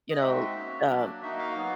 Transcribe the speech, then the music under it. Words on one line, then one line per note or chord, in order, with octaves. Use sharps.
you know, um,
D#5
G#3 C4 D#4 F#4 E5
A#3 C#4 F#4
F#3 A#3 D4
A#3 D#4 F#4 E5
F5
F#3 B3 D#4 F#4